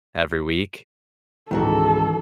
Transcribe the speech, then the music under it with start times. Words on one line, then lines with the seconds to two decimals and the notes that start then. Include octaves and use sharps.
every week,
1.51 C#2 G#2 D#3 E3 F#4 A4